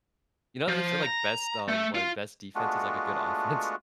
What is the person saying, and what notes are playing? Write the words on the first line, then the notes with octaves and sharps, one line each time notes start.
you know, they said, like, best, um, wha best defense is like a good offense.
F3
A#5
A3
F4
G#3 A3 B3 D4 F4 F#4